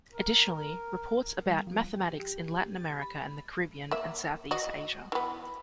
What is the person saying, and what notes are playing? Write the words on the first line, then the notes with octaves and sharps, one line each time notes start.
Additionally, reports about "Mathematics in Latin America and the Caribbean and South East Asia".
A#4
G3
F3
G4
G4
A6
B5
A#3 E5
F#4 D#5
E3 B3